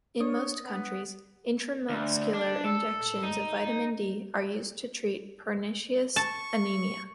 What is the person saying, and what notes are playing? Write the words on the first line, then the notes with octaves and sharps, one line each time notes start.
In most countries, intramuscular injections of vitamin B are used to treat pernicious anemia.
D4 C#5 D#6
B3
D2
D4
A4
D#4
A5 C#6